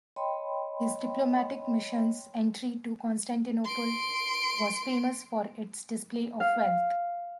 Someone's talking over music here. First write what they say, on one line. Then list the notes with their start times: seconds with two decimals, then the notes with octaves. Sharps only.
His diplomatic mission's entry to Constantinople was famous for its display of wealth.
0.16 C#5 D#5 G5 A5 B5 C6
3.64 C6 D7
6.40 F5